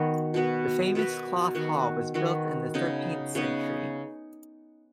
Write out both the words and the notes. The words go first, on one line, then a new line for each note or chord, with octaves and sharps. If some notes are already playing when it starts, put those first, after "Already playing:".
The famous Cloth Hall was built in the thirteenth century.
Already playing: D#3 B3 F#4
B2 B3 F#4 B4
B2 B3 F#4 B4
D#3 B3 F#4
D#3 B3 F#4
C#3 B3 D#4
C#3 B3 D#4